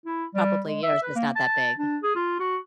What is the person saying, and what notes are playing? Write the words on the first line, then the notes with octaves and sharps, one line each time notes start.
Probably yours is not that big.
E4
G3
G#3
E5
B4
A#3
A5
D4
G#4
F4
F#4